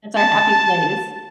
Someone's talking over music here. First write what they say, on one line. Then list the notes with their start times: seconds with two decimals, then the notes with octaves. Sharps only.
that's our happy place.
0.17 A5